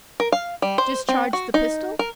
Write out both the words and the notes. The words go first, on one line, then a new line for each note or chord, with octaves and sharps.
Discharge the pistol?
A#4
F5
G3
C5
C4
F#4
D#4
A#4